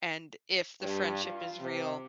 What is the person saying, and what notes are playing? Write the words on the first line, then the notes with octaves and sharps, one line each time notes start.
and if the friendship is real,
G2
F4
C3